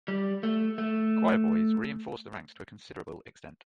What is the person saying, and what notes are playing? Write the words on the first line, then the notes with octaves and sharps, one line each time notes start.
Choirboys reinforce the ranks to a considerable extent.
G3
A3
A3